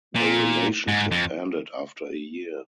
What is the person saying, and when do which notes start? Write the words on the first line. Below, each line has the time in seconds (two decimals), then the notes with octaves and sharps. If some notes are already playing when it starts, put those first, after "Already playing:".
The relationship ended after a year.
0.15 A#2
0.88 G#2
1.12 F2